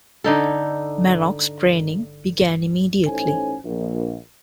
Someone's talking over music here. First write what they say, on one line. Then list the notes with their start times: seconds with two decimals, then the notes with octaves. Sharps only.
Mannock's training began immediately.
0.24 D3 D#4 A4
3.07 A1 C#4 D#4 A4 C5 G#5
3.64 A#1